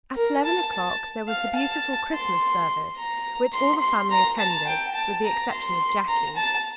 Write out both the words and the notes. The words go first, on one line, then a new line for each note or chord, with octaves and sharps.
At eleven o'clock there was the beautiful Christmas service, which all the family attended, with the exception of Jackie.
A#4
A5
A5
F5
A5
C6
A#5
C6
C6
A#5
A5
G5
A5
A#5
C6
A#5
A5